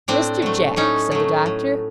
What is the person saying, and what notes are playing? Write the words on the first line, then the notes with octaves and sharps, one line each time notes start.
'Mr. Jack!' said the Doctor.
A2 C4 D4
F#3 A3
A2 C#4 D#4
F#3 A3
A2